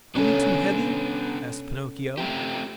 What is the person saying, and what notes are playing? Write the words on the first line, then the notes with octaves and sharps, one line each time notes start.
"Are we too heavy?" asked Pinocchio.
C3 B3 C#4 D4 A4
A3 C4 G4